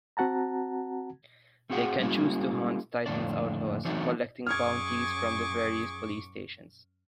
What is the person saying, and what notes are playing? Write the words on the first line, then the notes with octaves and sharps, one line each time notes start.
They can choose to hunt Titan's outlaws, collecting bounties from the various police stations.
C4 F#4 F#5 A5 A#5
A3 C4 F#4 G#4 F#5 G5
G3 G#3 A#3 C#4 E4 F#4
F2 A2 D3 C4 D4 D5
E3 F#3 A3 C4 D4 D#4
F#2 G#4 C#6 D6 F6 G#6